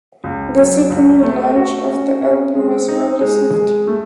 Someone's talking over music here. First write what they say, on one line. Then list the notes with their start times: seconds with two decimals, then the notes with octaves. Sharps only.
The Sydney launch of the album was well received.
0.24 C#2
0.57 F#3
0.90 C#2
1.23 A3
1.56 F#4
1.88 C#4
2.22 C#4
2.55 G#3
2.88 D#4
3.21 G#3
3.54 G#3
3.87 A3